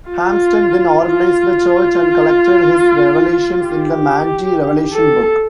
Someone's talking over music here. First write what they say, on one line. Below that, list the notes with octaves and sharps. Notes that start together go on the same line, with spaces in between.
Harmston then organized the church and collected his revelations in the "Manti Revelation Book".
F4
F4
G4
A4